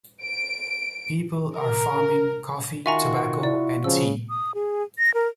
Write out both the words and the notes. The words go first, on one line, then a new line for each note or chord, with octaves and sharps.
People are farming coffee, tobacco and tea.
D7
A#4
D#3 F4 F#4 E5 G#5 A#5 C#6
E4 D5
C#3 F3 E6
D#6
G#4
A#6
A#4